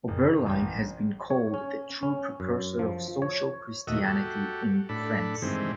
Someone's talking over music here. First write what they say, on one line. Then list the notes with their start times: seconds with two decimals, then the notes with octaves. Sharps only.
Oberlin has been called the true precursor of social Christianity in France.
0.08 F#1
0.46 A1
1.30 C#5
1.54 C#4
2.03 C#4
2.40 F#2
2.79 F3
3.22 C#5
3.87 D#2 A#2 A3 F#4 D#5 E5
4.04 F#4 G4 A4
4.89 A2 D4 A4 B5
5.42 G2 C3 D#3 E3 G#3 C4